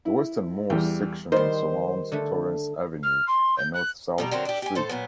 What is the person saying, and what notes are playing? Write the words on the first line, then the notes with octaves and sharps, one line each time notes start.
The westernmost section surrounds Torrence Avenue, a north-south street.
E4
E2 G3 G5
D#3 G3 C5
D3 A3
F6
C6
G6
F#6
B2 G3 A#5
D3 F#3 C4 A#4
D4 G4
G4 G#5
A2 A4 C5
A#2 F#3 B3